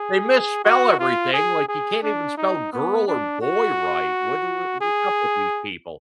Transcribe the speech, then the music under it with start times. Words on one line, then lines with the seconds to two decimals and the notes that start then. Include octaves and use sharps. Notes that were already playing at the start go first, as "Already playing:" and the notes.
They misspell everything, like, you can't even spell "girl" or "boy" right, what do wha what's up with these people?
Already playing: G#4
0.65 F#4
0.99 F4
1.34 G#4
1.68 G#4
2.03 D4
2.37 D#4
2.73 B3
3.08 D4
3.42 F#4
4.81 G#4